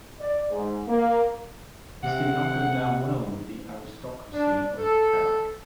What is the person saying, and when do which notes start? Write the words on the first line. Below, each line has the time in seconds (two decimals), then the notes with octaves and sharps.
This did not go down well with the aristocracy of Perak.
0.20 D5
0.51 G#2
0.88 A#3
2.03 C3 F#5
4.32 D4
4.78 A4